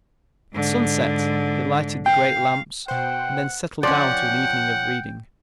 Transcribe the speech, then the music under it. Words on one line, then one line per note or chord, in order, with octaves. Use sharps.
At sunset they lighted the great lamps and then settled down to an evening of reading.
G#2 D3
F5 G5
B2 C5 F#5 G5
F3 C#4 D5 F#5 G5